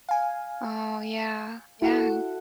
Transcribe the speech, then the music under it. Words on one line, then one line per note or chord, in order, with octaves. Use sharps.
Oh, yeah, yeah.
F5 G#5
E4 F#4 A4 F#5